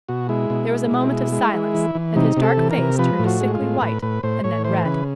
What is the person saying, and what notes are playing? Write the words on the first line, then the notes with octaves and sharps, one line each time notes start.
There was a moment of silence, and his dark face turned a sickly white and then red.
B2 F#4
G#3 E4
B2
G#3
B2
G#3
G#3
G#3
E3
E3
C3 D#4
C3
A4
E3
A#4
C3
F3 B4
A2
F#4
G#3
F4
A2
A2 B4
A2 B4
A2 C5
A2 C#5
E3 C5
C#3 B4